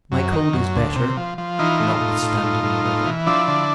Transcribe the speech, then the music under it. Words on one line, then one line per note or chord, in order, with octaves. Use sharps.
My cold is better, notwithstanding the weather.
F#2
D#3
F#2
D2
C3
F3
F3
E3 D#4 F4
A2
A2
A2
A2
A2
A2
E3
F3 D4 E4
D3